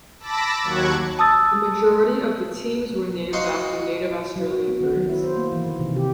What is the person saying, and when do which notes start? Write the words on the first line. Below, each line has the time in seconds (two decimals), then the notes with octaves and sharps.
The majority of the teams were named after native Australian birds.
0.20 A5 B5 D6 E6 A#6
0.63 D#2 F#3 C#6 F#6 G#6
1.19 A5 D#6 E6 A6
3.33 D#4 F#4 D#5 F5 C6
4.36 F#3
4.51 F#4
4.68 B3
4.81 D#3
4.97 F#3
5.09 E4
5.24 C5
5.36 A#3
5.53 E3
5.66 D#3
5.79 C3
5.96 G4